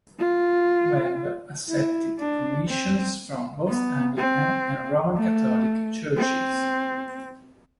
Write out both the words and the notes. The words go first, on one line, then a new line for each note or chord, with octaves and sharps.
Webb accepted commissions from both Anglican and Roman Catholic churches.
F4
E4
D4
C4
B3
C4
A3
C4